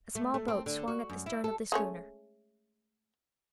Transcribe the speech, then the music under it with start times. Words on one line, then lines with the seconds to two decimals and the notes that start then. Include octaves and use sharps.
A small boat swung at the stern of the schooner.
0.15 A3
0.34 A3
0.48 C4
0.66 D3
0.88 F#4
1.09 F#2
1.26 E4
1.44 A4
1.72 G#3 A3 C#4